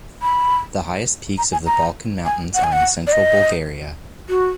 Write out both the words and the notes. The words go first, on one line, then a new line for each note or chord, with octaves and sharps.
The highest peaks of the Balkan Mountains are in central Bulgaria.
B5
A#5
G#5
A#5
G#5
F#5
G#5
F#5
D5
D#5
F#4